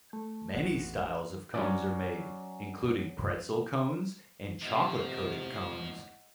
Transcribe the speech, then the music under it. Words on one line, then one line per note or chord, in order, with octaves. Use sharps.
Many styles of cones are made, including pretzel cones and chocolate-coated cones.
A3
A1 E2 F#4
F#3 C#4 D5
E2 G#2 C3 F3 A3 D#5 F#5